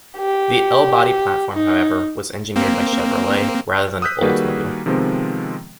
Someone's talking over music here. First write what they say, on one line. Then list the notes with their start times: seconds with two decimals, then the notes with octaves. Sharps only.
The L-Body platform however, was engineered by Chevrolet rather than Oldsmobile.
0.18 G4
1.53 D#4
2.56 A#3 C4
4.02 D#6 E6 F#6 G6 B6
4.21 D#3 G3 A#3 F#4 G#4 B4
4.86 C3 D#3 F3 G#3 B3 C4